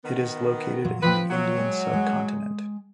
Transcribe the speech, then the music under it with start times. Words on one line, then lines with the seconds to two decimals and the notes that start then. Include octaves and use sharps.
It is located in the Indian subcontinent.
0.05 D#3 B3
0.85 A#2 F#3
1.03 F3 C4 B4 G5
1.30 F#3
1.57 G#3
1.93 G#3